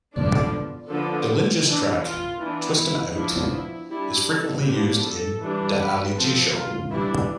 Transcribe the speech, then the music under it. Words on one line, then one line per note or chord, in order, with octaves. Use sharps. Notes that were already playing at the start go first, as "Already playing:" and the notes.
Dillinja's track "Twist Em' Out" is frequently used in "Da Ali G Show".
D3 F3 B3 D4 D5
D3 F3 B3 D4 A4
E3 B3 D4
F4
E3 B3 D4
E4
F3 B3 D4 E4
E4
G3 D4 E4
A4
F3 B3 D4 G4
A4
E3 G3 D4
B4
F3 C4 A4
F4
E3 G3 D4 E4